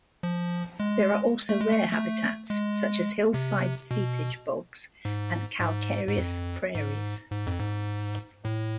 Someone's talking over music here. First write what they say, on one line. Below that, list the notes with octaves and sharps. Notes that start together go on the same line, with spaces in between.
There are also rare habitats, such as hillside seepage bogs and calcareous prairies.
F3
G#3
A3
G#3
A3
A3
G#3
C3
B2
G#2
G#2
G#2
F2
G#2
G#2
F2
G#2
A2